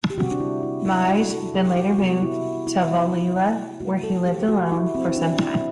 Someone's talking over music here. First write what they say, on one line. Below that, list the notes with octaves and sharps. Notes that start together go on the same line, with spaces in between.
Mige then later moved to Vallila, where he lived alone for some time.
G4
C3 G3 C4 F#4
D4
E4
E4
E4
F#4
A4
G4
F#4
C3 G3 B3 F#4
E4
E4
C3 F#3 A3 F#4
A4
G4
F#4
E4
C4
E4
D4
E4